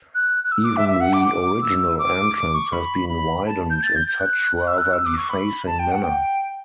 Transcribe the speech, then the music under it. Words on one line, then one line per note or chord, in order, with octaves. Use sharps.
Even the original entrance has been widened in such rather defacing manner.
F#6
F#6
E6
D6
E5
E5
F#5
D6
D6
E6
D6
D6
C#6
B5
B5
A5
G6
A6
G6
G6
F#6
F#6
E6
F#6
E6
D6
C#6
B5
A5
G5
F#5
G5